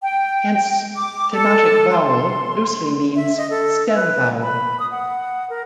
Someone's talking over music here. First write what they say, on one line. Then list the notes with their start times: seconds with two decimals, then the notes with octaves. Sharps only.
Hence, "thematic vowel" loosely means "stem vowel".
0.02 G5
0.97 D6
1.32 A4
1.91 C6
3.16 E5
3.37 D#5
3.50 A4
3.94 B4
4.42 B5
4.80 D#6
4.91 F#5
5.50 A#4